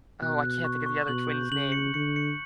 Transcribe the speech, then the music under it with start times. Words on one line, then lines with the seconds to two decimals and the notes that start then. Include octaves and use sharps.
Oh, I can't think of the other twin's name-
0.22 B2 F#6
0.44 F#6
0.64 C#6
0.86 C#6
1.08 B2 F#7
1.30 G6
1.51 C#3 F#7
1.72 C#7
1.94 D3 C#7
2.16 C#7